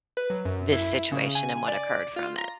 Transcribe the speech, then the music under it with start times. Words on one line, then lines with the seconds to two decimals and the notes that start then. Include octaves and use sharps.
this situation and what occurred from it.
0.17 B4
0.30 F#3
0.45 F#2
0.73 E4
1.12 C#3
1.35 G#5
1.68 D5
2.16 F4
2.38 A#5